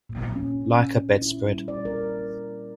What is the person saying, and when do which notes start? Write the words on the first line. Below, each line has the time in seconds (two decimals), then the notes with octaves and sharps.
Like a bedspread.
0.09 A#2
0.36 C#4
1.22 E4
1.47 G3
1.68 D5
1.85 A#4